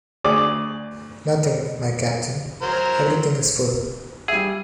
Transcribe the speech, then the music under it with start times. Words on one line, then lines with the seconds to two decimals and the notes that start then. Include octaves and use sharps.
Nothing, my captain, everything is full.
0.24 D2 G#4 D5 G#5 D6 D#6
2.62 F#3 A#4 C5
4.28 G3 G#4 E5